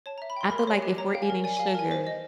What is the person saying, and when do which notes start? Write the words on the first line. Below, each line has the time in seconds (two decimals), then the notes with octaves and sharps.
I feel like if we're eating sugar
0.06 C#5 A5
0.18 E5 A#5
0.30 B5
0.36 G5 C6
0.50 A#4 B5
0.58 C6
0.67 C#5
0.82 G4
0.98 C#5 A#5
1.14 F5 G5
1.22 G#5
1.30 A#4
1.44 D5 G#5
1.57 F5 G#5
1.67 A5
1.75 A#4 G#5
1.91 C5
2.07 D#5